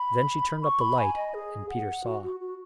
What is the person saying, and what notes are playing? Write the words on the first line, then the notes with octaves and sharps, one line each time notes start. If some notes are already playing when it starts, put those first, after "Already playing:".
Then she turned up the light, and Peter saw.
Already playing: B5
C#6
B5
G#5
D#5
G#4
F#5
F#4
F#4
F#4